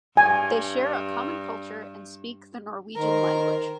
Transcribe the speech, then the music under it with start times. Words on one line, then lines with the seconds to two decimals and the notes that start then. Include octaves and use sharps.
They share a common culture and speak the Norwegian language.
0.17 G2 G#5
2.95 D#3 A#4 C5